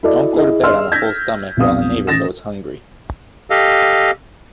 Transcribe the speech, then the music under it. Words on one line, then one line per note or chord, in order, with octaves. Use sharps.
Don't go to bed on a full stomach while a neighbour goes hungry.
E4 F#4 A4 D5 D#5
E4 G#4 D#5
G#4 D#5 E5 C6 E6 F6
G6 G#6 A#6 B6
B1 F2 F5 D#6
A1 A6 A#6 E7
G4 A4 D#5 F5